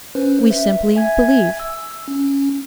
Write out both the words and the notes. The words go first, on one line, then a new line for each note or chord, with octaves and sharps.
We simply believe.'
C#4 B4 C5
E5
E5 G#5 G#6
E6
C#4